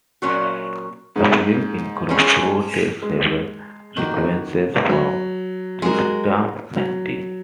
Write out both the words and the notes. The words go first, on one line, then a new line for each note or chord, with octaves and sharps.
The film incorporates several sequences from "Tristram Shandy".
A#2 F#3 C#4 F#4 A#4
G#2
G#3 C#4 G#4
G#3
D#3 A#3 F#4
F#3
G#3 F#4 A#4
F#3